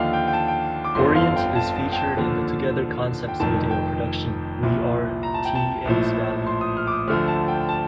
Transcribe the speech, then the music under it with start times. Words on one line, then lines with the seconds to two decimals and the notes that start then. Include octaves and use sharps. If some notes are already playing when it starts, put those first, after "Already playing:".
Orient is featured in the Together Concepts video production "We Are..Teays Valley".
Already playing: D#2 D3 F3 D#5 F5 G5
0.13 G5
0.28 G5
0.33 A5
0.48 G5
0.84 D6
0.95 G1 F2 D3 F3 C6
1.15 F5
1.36 G5
1.55 A5
1.76 A5
1.93 G5
1.96 A5
2.17 D#2 D3 F3
3.28 G5
3.40 F1 F2 D#3 A5
3.71 G5
4.63 C2 A#2 F3
5.23 A#5
5.34 A5
5.45 G5
5.55 A5
5.85 A#1 A2 F3
6.46 C6
6.61 D#6
6.77 F6
6.87 D6
6.92 D#6
7.07 D2 D3 F3 F6
7.28 A5
7.48 G5
7.69 A5